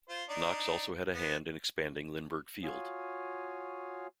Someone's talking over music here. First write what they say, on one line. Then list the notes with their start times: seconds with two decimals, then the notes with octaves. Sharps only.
Knox also had a hand in expanding Lindbergh Field.
0.09 F4 C5
0.29 D4 D#4 D5
1.15 B3
2.64 F4 F#4 C#5 F5 G#5 D#6